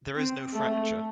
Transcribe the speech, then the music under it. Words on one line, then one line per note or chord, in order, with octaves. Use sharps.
There is no fracture.
C4
A3